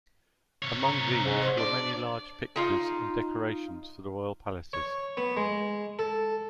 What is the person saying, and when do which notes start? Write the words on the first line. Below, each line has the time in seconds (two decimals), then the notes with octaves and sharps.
Among these were many large pictures and decorations for the royal palaces.
0.62 C3 C#5
0.83 A#5
1.24 G#2
1.41 C5
1.58 D4 D5
2.56 D#4 F4 F5
4.73 C#5
5.17 B3
5.37 G#3
5.99 A4